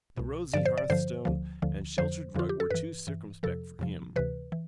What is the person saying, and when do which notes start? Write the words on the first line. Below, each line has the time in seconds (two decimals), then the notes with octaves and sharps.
The rosy hearthstone and sheltered rug were too circumspect for him.
0.17 C2 B2
0.54 G2 D3 F3 D5
0.66 C5
0.78 D5
0.90 G2 D3 F3 C5
1.25 D2 D3 F3
1.62 D2 D3 F3
1.98 F2 D3 F3 C5
2.35 F2 D3 F3 F4
2.49 G4
2.60 A4
2.70 G2 E3 B4
3.07 G2 E3
3.43 F2 C3 F3 A4
3.79 F2 C3 F3
4.16 D2 C3 E3 B4
4.52 E3